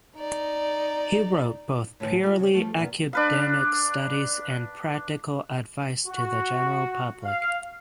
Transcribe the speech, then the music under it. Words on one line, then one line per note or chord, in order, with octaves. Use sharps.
He wrote both purely academic studies and practical advice to the general public.
D#4 D5
A2 D3 E3
G#3 F4
C#3
F3 G3 A3 B3
A#2 B3
D4 B4 F5
F#4
F5